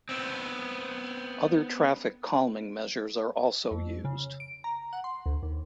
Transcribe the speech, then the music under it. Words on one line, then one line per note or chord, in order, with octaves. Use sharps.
Other traffic calming measures are also used.
B3 C4
F2
C#3
D7
A#5
F#5
C6
D2
D#2